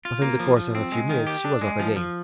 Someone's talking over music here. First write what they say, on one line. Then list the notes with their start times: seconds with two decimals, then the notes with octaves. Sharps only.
But in the course of a few minutes she was up again.
0.05 F4
0.22 A#3
0.40 F3
0.57 F3
0.75 C4
0.92 G#3
1.10 D#3
1.27 G4
1.45 D4
1.61 G#3
1.80 F3
1.96 F3